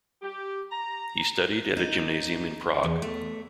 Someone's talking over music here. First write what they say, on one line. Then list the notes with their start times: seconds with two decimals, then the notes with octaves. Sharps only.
He studied at a gymnasium in Prague.
0.21 G4
0.70 A#5
1.77 D#4
2.83 E2
3.02 A3